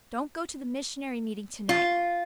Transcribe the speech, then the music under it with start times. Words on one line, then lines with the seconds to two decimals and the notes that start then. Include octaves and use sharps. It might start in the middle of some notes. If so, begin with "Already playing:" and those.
"Don't go to the missionary meeting to-night."
1.69 F4